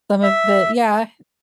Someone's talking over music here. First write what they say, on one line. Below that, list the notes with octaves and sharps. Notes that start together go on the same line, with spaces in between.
Some of it yeah,
E5